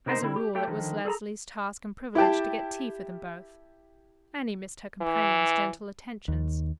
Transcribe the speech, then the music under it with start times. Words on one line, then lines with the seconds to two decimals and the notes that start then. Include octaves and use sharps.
As a rule, it was Leslie's task and privilege to get tea for them both. Annie missed her companion's gentle attentions.
0.06 C3 D#4 A#4 C5
0.22 D3 C4 E4
0.36 G4
0.55 A3 G4 G5
0.67 D3 D#3 F3
1.05 G#4 A4 A5 A#5
2.15 E4 G4 G5 A5
5.01 E3
6.28 D#2